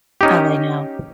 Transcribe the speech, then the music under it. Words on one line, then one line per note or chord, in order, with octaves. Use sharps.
Oh, I know,
C#4 D#4 G4